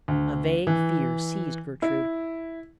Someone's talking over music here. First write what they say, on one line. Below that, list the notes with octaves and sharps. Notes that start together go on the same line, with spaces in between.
A vague fear seized Gertrude.
D2
E3
E4